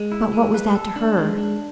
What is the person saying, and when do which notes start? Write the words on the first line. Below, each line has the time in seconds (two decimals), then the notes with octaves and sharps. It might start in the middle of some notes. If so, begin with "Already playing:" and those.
But what was that to her?
Already playing: G#3
0.12 E4
0.33 G#3
0.54 B4
0.75 A4
0.96 D4
1.18 G#3
1.38 D4